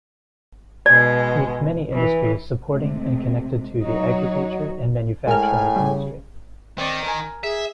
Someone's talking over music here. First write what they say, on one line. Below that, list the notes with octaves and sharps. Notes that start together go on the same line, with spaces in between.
With many industries supporting and connected to the agriculture and manufacturing industry.
B2 G#3 D5
E3
C3 G#3 A3
F#3 D#4 F#4 C#5
A2 G#3 A#4 G#5 F6
C#3 G3
D#3 C4 D5
A#4 G#5
G#4 E5